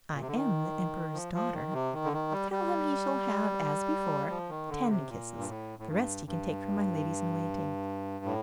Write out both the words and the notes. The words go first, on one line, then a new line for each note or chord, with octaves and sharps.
'I am the Emperor's daughter! Tell him he shall have, as before, ten kisses; the rest he can take from my ladies-in-waiting.'
A#2
C3
D3
D#3
F3
F3
D#3
C3
D#3
D3
D#3
G3
G3
F3
D#3
D3
C3
A#2
G2
A2
A2
G2
G2
A2